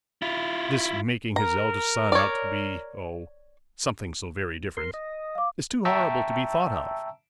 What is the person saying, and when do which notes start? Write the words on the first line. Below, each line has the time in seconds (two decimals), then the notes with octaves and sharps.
This making his eldest son out to be--oh, something so very different--is too horrible to be thought of.
0.22 E4 F4
1.36 A#4 A#5
2.12 C#5 D5
4.77 A#4 C6
4.94 D#5
5.35 F5 D6
5.85 E5 G5 A5 A#5 C#6 E6